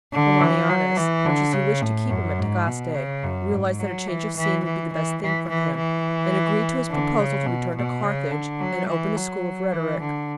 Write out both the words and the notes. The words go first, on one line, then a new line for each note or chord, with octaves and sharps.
Romanianus, much as he wished to keep him at Tagaste, realized that a change of scene would be the best thing for him, and agreed to his proposal to return to Carthage and open a school of rhetoric.
D3
E3
F#3
E3
D3
C#3
A2
F#2
G#2
B2
C#3
F#2
G#2
F#3
E3
E3
E3
E3
E3
E3
E3
D3
C#3
B2
B2
C#3
D3
F#3
E3
F#3
E3
D3